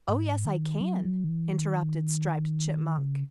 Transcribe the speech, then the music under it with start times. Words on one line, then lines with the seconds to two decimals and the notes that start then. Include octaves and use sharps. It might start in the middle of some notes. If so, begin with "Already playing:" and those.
"Oh, yes, I can," interrupted Striped Chipmunk.
0.08 G#2
0.45 D#3
0.81 F#3
1.05 F#3
1.24 D#3
1.29 E3
1.53 D#3
2.98 C#3